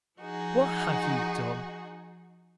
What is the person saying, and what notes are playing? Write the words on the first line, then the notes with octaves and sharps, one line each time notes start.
What have you done?
F3 D#4 F#4 G#4